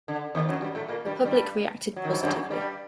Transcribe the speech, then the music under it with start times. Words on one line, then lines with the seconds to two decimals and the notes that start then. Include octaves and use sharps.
The public reacted positively.
0.08 D3
0.35 D#2 D#3
0.49 F#2 F#3
0.62 G2 G3
0.75 A2 A3
0.88 A#2 A#3
1.06 G2 G3
1.25 G2 G3
1.96 F#3
2.04 D#3
2.12 F#2 F#3
2.23 F#2 F#3
2.51 G2 G3